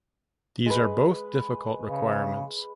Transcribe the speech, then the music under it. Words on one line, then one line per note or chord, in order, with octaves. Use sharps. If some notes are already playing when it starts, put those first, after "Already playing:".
These are both difficult requirements.
G#3 B4
C#3